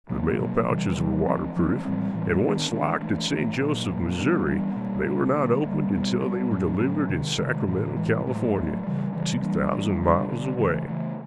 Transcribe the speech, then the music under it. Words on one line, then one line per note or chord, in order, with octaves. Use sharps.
The mail pouches were waterproof, and once locked at St. Joseph, Missouri, they were not opened until they were delivered in Sacramento, California, two thousand miles away.
B2 F#3 A#3
B2 F#3 A#3
C3 E3 G3
C3 E3 G3
F3 G#3 C4
F3 G#3 C4
A2 E3 G3 C4
A2 E3 G3 C4
D#3 G#3 B3 D4
D#3 G#3 B3 D4
E3 A3 D4
E3 A3 D4
A#2 F#3 A#3
A#2 F#3 A#3
E3 G3 B3 D4
E3 G3 B3 D4
B2 G3 A#3
B2 G3 A#3
D3 G3 A#3
D3 G3 A#3
B2 G3 B3
B2 G3 B3
A2 F#3 A3 C#4
A2 F#3 A3 C#4
C3 D#3 G#3
C3 D#3 G#3
A2 E3 G#3
A2 E3 G#3
A2 F#3 A3
A2 F#3 A3
C#3 E3 G3
C#3 E3 G3
E3 G3 A#3 D4
E3 G3 A#3 D4
D3 G3 B3 D4
D3 G3 B3 D4
C#3 E3 A3
C#3 E3 A3